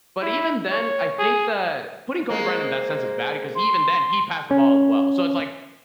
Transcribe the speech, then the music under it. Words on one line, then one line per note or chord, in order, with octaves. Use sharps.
But even then, I think that putting Kobe Bryant in that sense is bad because even then, he passed the ball as well. So, it's like,
E4
C#5
G#4
G#3 A#3 C4
C6
C#4